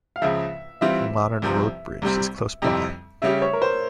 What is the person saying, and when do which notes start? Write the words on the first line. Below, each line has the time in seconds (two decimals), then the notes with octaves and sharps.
A modern roadbridge is close by.
0.16 F5
0.22 C#2 C#3 F3 E5
0.81 E3 G3 C4 F4 E5
1.42 C2 C3 F3 C4
2.02 C2 C3 G3 C4
2.62 F2 C3 G3 C4 E4
3.22 C#3 G3 C#4 G4 E5
3.42 C#5
3.53 A#4
3.62 C5